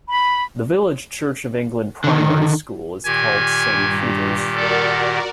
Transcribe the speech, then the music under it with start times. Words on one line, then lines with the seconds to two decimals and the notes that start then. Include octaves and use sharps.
The village Church of England primary school is called St.Peters.
0.08 B5
2.04 D3 D#3
3.05 A#2 D#3 G4 G#5
3.72 G2
4.55 F#4 A4 A#4 D5